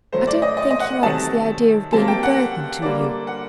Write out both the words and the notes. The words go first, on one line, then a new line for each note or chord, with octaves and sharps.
"I don't think he likes the idea of being a burden to you."
A2 F#3 A3 C5
D5
D#5
D#5
D#5
F#5
C3 D#3 F#3 A3 A5
C3 F#3 A#3 A5
G5
F#5
D3 G3 A#3 D5
F#5